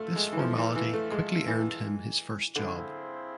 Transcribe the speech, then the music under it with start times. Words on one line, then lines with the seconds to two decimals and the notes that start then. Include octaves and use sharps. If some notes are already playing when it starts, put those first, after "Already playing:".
This formality quickly earned him his first job.
Already playing: A3 F4 A4 E5
0.16 G#3
0.32 E3
0.39 F3
0.57 E3
0.75 E3
0.93 A3
1.11 G#3
1.47 E3
2.55 D3 C4 E4 G#4 C5 F5